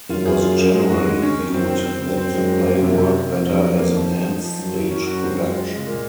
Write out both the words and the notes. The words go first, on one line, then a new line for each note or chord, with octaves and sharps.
It was generally viewed that the play worked better as an end-stage production.
F#2 F4
G#4
F4
G#4
G#3
F#4
G#3
C#4
F#2 D#3
C4
C4
C4
F#2 C4
C4
F#2 G#3
C4
A#3
C3
C3
D#3
F2 A#3
F#3
F#3
A#3
F3
D#4
D#4
F3
F#2 F#3
F#3
C#4
F#4
C4
G#3
F4
G#3
A#2